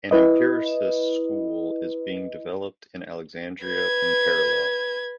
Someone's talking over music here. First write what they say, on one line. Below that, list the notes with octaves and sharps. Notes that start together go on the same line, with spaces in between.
An empiricist school is being developed in Alexandria in parallel.
E4 B4 D#5
B4 G#6